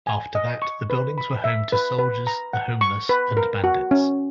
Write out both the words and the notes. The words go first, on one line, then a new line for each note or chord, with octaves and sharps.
After that, the buildings were home to soldiers, the homeless, and bandits.
G#5
D#5
C#6
B4
B5
E5
B4
B4
A#5
F#5
C#6
B4
A#4
F#4
C#4